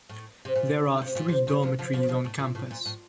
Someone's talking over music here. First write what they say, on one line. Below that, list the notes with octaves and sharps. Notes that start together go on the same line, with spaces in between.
There are three dormitories on campus.
A2
C3
A#2
C3
A#2
C3
C3 D#3
D3 F3
D3 F3
D3 F3
D#3
D3 F3
A2
A#2
A2
A#2
A2